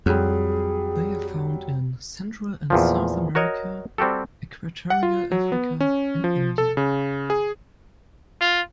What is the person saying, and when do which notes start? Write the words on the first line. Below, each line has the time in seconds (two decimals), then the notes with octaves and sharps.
They are found in Central and South America, equatorial Africa and India.
0.06 F2 F#3 G3 G#4
2.70 E2 A#2 F3
3.35 F#4 A#4 C#5 D#5
3.98 G3 C4 F#4 G4 A4
4.90 F#5
5.03 F4
5.32 F#3
5.52 B3
5.80 C#4
6.24 F3
6.58 A4
6.77 C#3
7.30 G#4
8.41 F4